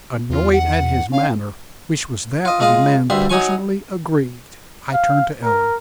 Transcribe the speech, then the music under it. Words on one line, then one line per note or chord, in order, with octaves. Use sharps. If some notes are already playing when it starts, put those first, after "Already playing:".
Annoyed at his manner, which was that of a man personally aggrieved, I turned to Ellen.
E2 F4
F#5
C#4 F5
F4 D#5
G#3 F4 D#5 F5
D2 G2 G3 E5 C6
F#3 D#4 C#5 G#5 C#6
F5
A#4